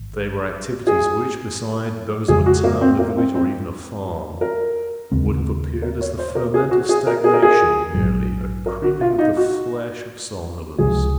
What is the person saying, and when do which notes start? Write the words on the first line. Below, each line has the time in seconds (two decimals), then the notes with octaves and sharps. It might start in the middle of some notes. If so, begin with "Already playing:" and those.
They were activities which, beside those of a town, a village, or even a farm, would have appeared as the ferment of stagnation merely, a creeping of the flesh of somnolence.
Already playing: G#1
0.87 G#4
2.28 F2 C#3 F3 G#3 G#4
2.46 F#4
2.64 A#3
2.81 C4
2.99 A#3
3.17 C4
3.35 C4
4.41 A#4
5.12 D#2 C#3 G#3 C4
5.82 A#4
6.01 C#5
6.18 C5
6.35 A#4
6.54 G#4
6.71 F#4
6.89 G#4
7.07 A#4
7.24 G#4
7.34 A#4
7.42 G#4
7.94 A#1 G#2 F#3
8.66 A#4
8.84 F#4
9.01 F4
9.18 D#4
9.37 F#4
10.78 C#2 C3 F3 G#3 G#4